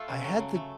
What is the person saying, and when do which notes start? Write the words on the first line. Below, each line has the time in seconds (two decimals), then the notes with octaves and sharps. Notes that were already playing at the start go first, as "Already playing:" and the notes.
I had the
Already playing: A3 F4 A4
0.08 C#3
0.24 F#3
0.39 C#3
0.55 A3